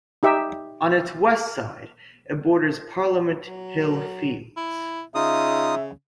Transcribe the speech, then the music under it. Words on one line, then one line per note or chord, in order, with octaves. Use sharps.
On its west side, it borders Parliament Hill Fields.
D#4 G4 E5
F#3
E4
C#3 D#4 F4 E5 D#6